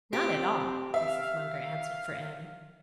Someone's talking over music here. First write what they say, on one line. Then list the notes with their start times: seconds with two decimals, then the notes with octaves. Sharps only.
"Not at all!" Mrs. Munger answered for Annie.
0.13 C4 G4
0.94 E5 F5